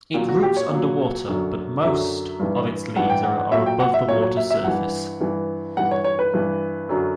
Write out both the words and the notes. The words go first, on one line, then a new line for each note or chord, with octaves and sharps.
It roots underwater, but most of its leaves are above the water surface.
A#2 F#3
F#4
G4
C#5
A#2 F#3
F#2 D3 F#3
F#2 D3 F#3 E5
G2 E3
G2 E3 F#5
G5
F#5
F#5
A#2 F#3 E5
G5
F#5
E5
A#2 F#3 C#5
C#5
E5
E5
G2 E3 F#5
G2 E3
G2 E3 F#5
C#5
C#5
B4
G2 E3
F#2 D3 F#3